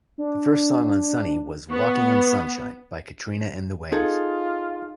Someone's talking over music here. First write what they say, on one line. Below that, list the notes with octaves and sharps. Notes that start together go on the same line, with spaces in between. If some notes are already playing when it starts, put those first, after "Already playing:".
The first song on "Sunny" was "Walking on Sunshine" by Katrina and the Waves.
D4
B3 C#6
D#4 F4 G#4 A4